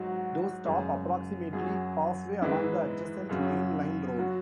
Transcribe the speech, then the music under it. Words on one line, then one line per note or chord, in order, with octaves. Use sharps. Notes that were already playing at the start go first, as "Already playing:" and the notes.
Those stop approximately halfway along the adjacent main-line road.
Already playing: G#2 F#3 F#4
F#2 C#3 G#3
F#2 F#3 G#4
G#2 E3 G#3 E4
F#2 C#3 F#3
F#3 F#4